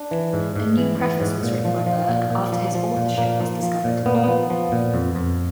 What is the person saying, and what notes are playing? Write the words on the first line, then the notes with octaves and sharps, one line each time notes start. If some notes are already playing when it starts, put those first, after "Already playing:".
A new preface was written by Burke after his authorship was discovered.
Already playing: D4
E3
G#2
G#2
E3
E3
G#2
A#2
F3
F3
A#2
A#2
F3
F3
A#2
A#2 A#3
F3
F3
A#2
A#2 B3
A#3
F3 B3
F3
A#2
F2
F2